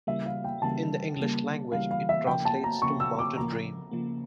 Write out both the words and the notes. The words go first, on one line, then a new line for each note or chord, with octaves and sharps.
In the English language, it translates to mountain dream.
C#3 E3 G3 A#3 E5
F5
G5
C#3 E3 G3 A#3 A5
C#3 E3 G3 A#3
C#3 E3 G3 A#3 F5
F5
E5
C#3 F3 A#3 G5
A5
A#5
C#3 F3 A#3 C#6
E6
D6
C#3 F3 A#3 A#5
C#3 F3 A#3